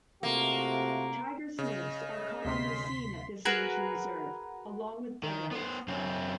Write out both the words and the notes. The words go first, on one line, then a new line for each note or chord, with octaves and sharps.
Tiger Snakes are commonly seen at this nature reserve along with Dugites.
C3 A3 A#3 F4 F#4
C#3 D#5
D2 C3 C6 B6
F#4 G#4 A#4 B4
D#3
B3 C5
F#2 C#3 C4